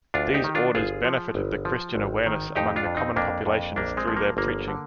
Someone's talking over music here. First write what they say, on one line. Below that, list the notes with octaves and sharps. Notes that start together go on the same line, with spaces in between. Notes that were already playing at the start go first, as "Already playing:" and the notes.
These orders benefited the Christian awareness among the common populations through their preaching.
D2 D4 F4
D#4 G4
D#3
D4 F4
G1 F4 G#4
F3
G1
F3
G#1
D#3
F2 D#4 G4
D4 F4
F2
C4 D#4
F2 A#3 D4
F2
A#1 A#3 D4
G#3 C4
F3
A#3
G1 A#3
D3